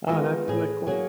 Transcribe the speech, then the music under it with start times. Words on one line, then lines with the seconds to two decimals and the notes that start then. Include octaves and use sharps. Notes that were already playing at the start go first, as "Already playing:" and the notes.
Oh, that's really cool.
0.09 D#3 G#3 B3 F4
0.48 A2 G#4
0.87 F#3 A#3 G#4